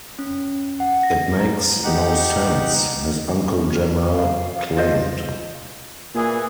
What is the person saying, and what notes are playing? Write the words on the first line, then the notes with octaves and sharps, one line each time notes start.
"It makes no sense," his uncle Jamal claimed.
C#4
F#5
A#6
A#5
D#4 G4 F#5
F5
F4 C5 D#5
A#2 E3 G#4